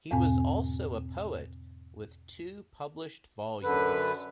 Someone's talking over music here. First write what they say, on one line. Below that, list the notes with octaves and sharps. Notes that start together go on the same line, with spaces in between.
He was also a poet with two published volumes.
E2 G#2 B2 C4 G#5
F#2 D3 B4